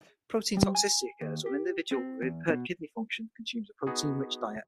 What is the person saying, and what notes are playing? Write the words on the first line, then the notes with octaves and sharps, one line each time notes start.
Protein toxicity occurs when an individual with impaired kidney function consumes protein rich diet.
G3
G#5
D#2
G4
C4
E2
B2
B3 D#4 F#4 G#4